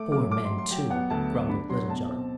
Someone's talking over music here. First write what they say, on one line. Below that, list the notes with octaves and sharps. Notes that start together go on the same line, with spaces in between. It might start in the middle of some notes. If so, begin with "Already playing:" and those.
"Poor men, too," grumbled Little John.
Already playing: A3 D6
F#3 D6
A3 D6
C6
F#3
C6
F#3 G5
B3 F#5
D2 A5
F#3
D4 B5
F#3 C6
B2 A5
C4